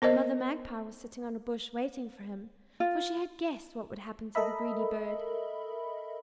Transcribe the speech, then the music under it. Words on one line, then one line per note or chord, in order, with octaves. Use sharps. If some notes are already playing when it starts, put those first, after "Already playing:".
Mother Magpie was sitting on a bush waiting for him, for she had guessed what would happen to the greedy bird.
B3 A#4 C5 D#5
F4
A4 A#4 D#5 E5 B5